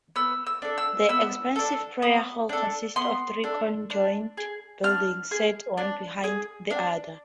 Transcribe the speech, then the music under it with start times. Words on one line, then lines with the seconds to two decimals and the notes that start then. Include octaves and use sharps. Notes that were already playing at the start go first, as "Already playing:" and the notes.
The expansive prayer hall consists of three conjoined buildings, set one behind the other.
0.16 B3 E6
0.47 E6
0.62 D4 A4
0.78 E6
1.09 B3 E6
1.56 D4 A4
2.02 B3
2.49 D4 A4
2.96 B3 C6
3.44 D4 A4
3.90 D4
4.37 G#4
4.83 D4 F6
5.31 G#4
5.77 D4
6.24 G#4
6.70 D4